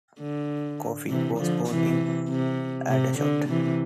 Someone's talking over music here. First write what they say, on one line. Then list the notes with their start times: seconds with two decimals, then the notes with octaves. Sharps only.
Coffey was born in Aldershot.
0.20 D3
1.09 C3 E3
1.39 D3 F3
1.69 C3 E3
2.29 C3
2.89 C3
3.19 D3
3.49 C3 E3